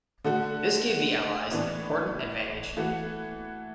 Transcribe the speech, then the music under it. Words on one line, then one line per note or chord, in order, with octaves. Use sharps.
This gave the Allies an important advantage.
D3 A3 F#4
A2 E3 B3 D4
E3 A3 F#4